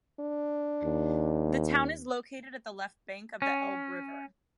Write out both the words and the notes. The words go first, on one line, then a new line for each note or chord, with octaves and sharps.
The town is located at the left bank of the Elbe river.
D4
D#2
C#4